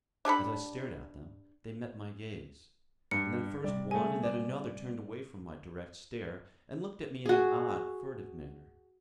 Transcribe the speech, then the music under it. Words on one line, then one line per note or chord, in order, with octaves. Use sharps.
As I stared at them, they met my gaze; and then first one and then another turned away from my direct stare, and looked at me in an odd, furtive manner.
D4 G4 A4 B5
G2 C#7
C3 G3 D5
A3 G#4 G#5
D5
F#4 G#4